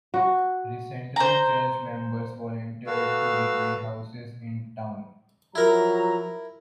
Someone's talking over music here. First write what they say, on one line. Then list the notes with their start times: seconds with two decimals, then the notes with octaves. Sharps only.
Recently church members volunteered to repaint houses in town.
0.14 F#4
1.16 C5 A#5
2.87 F#4 A4 B4 F5 E6
5.55 F3 F#3 E4 A#4 A#5